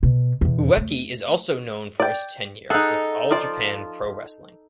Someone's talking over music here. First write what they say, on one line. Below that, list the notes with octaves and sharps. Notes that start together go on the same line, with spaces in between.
Ueki is also known for his tenure with All Japan Pro Wrestling.
B2
E2 B2
A3
D5 G5
D#4 G#4 A4 F#5
F3 F4 D5